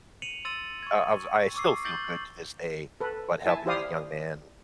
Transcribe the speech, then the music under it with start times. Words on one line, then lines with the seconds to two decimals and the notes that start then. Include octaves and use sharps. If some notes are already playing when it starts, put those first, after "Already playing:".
uh, I was I still feel good to this day about helping the young man,
0.22 C#7 D#7 F7 F#7
0.45 C6 E6 A6 D#7 F#7
0.83 C#6 G#6
1.55 C#6 D6 E6 C7
1.85 G6 A6 F#7 G7
3.00 A4 B4
3.46 E4 E5 G#5 A5
3.66 E4 G4 C5 D5 F5 D#6